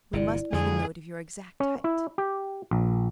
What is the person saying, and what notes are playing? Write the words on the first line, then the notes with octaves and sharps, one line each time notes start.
"We must make a note of your exact height."
G1 C3 E4 D5
F2 D3 G#3 G#4
C#4
E4
G4
A#1